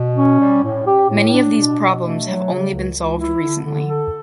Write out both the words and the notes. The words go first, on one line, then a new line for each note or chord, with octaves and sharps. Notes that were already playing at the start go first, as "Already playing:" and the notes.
Many of these problems have only been solved recently.
Already playing: B2
C#4
G3
A2
G4
A2
D4
B2
B2
A3
F#3
C#3
C#2
C#2
E4
D3
D3
A4